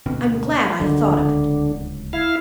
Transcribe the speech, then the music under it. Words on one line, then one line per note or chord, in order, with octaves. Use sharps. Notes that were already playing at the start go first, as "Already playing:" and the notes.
I'm glad I thought of it.
D2 B2 C4
C#2 D3 D#3 F#3
D1 C#2
E4 F5